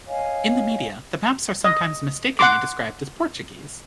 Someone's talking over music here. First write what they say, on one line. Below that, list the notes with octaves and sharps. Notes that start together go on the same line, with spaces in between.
In the media, the maps are sometimes mistakenly described as Portuguese.
C#5 D#5 F5 G#5
D#5
F#5 C6 D6